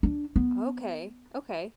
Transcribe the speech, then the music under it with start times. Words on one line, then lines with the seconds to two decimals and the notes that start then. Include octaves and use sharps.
Okay, okay.
0.03 D4
0.36 B3